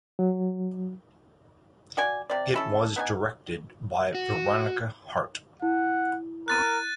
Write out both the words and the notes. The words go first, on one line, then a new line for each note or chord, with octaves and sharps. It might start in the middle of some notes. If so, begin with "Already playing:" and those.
It was directed by Veronica Hart.
F#3
F#4 D5 G#5
C3 D5
C#4 E4 A4
B3 D#4 D5 G#5
F#4
E4 F#5
A#4 F#6 A6 D#7